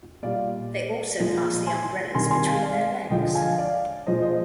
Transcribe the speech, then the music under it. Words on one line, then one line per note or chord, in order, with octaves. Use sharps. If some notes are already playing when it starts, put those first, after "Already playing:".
They also pass the umbrellas between their legs.
A#2 G3 D5 F5
A#2 F3 G#3
G#5 C6
C3 D#3 G3 G#5 C6
G#5 C6
F5 G#5
D5 F5
D3 F3 G#3 D#5 G5
F5 G#5
D5 F5
A#2 F3 G#3 C5 D#5
C5 D#5